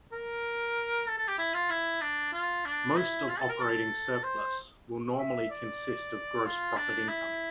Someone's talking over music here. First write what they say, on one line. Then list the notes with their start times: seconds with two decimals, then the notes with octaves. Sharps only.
Most of operating surplus will normally consist of gross profit income.
0.12 A#4
1.07 A4
1.18 A4
1.28 G4
1.38 E4
1.54 F4
1.70 E4
2.01 D4
2.33 F4
2.65 D4
2.97 E4
3.29 F4
3.39 A4
3.49 A#4
3.61 A4
4.23 C5
5.19 E5
5.51 D5
6.45 F4
6.77 D4
7.08 E4